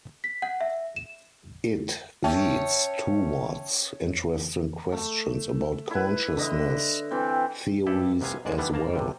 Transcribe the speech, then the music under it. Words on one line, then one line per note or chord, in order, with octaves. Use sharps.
It leads towards interesting questions about consciousness theories as well.
B6
F#5
E5
E7
C#4 E5 G5 A5
A3
E4 B4
D3 D#5 E5
E3 C4 G5
G2 E4 G4 A4
C2 C3 B3 F5 G#5
A1 G#2 G#3 D5
D3 E3 G3 B3 D4
A#3 A5 A#5
C3 G3